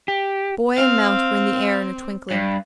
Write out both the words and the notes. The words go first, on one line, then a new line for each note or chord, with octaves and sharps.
Boy and mount were in the air in a twinkling.
G4
C4 F5
G2